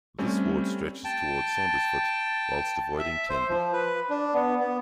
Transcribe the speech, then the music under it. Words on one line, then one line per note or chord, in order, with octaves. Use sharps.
This ward stretches towards Saundersfoot whilst avoiding Tenby.
G3 A3 C4 C#4
G5 A5
E5
C5
F3
B4
D4
B3
B3